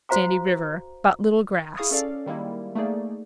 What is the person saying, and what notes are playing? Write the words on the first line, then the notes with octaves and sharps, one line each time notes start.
Sandy River.--But little grass.
F#4 C5 F5 A#5 D6
E4 G#4 F5 C#6 D#6
C#4 A4 D5 F5
D#3 G3 G#3 A#3 E4
A3 A#3 D#4 G#4 D5